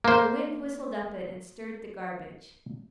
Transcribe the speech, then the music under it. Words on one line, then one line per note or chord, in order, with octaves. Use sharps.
The wind whistled up it and stirred the garbage.
A#3 C5